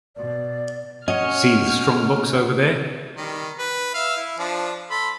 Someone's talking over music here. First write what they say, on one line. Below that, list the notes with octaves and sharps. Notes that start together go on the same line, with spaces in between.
See the strong-box over there?
B2 D5
C#4 F#4 C#5 D#5 F6
D#3 G3
B4
E5 F5
E4
F3 D4
A4 B5 C6